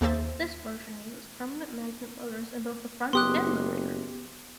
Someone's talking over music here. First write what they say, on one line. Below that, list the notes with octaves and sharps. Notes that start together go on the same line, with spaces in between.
This version uses permanent magnet motors in both the front and the rear.
D#2 A#3 G#4 C5 E5 A6
F#1 B3 G4 C6 D6 D#6 F#6